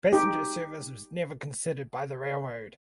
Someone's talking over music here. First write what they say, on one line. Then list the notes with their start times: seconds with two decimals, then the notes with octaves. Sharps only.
Passenger service was never considered by the railroad.
0.13 D#4 G4